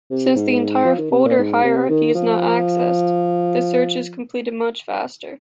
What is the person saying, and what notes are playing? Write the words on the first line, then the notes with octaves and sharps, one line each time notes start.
Since the entire folder hierarchy is not accessed, the search is completed much faster.
C3
G#2
F3
D#3
C3
A#2
G#2
C3
D#3
F3